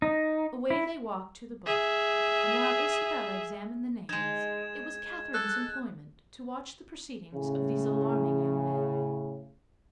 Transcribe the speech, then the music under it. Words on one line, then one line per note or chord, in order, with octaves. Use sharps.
Away they walked to the book; and while Isabella examined the names, it was Catherine's employment to watch the proceedings of these alarming young men.
D#4
E4
G#4 E5
G#3 D#4 G#6 E7
A4 F#6
A2 C#3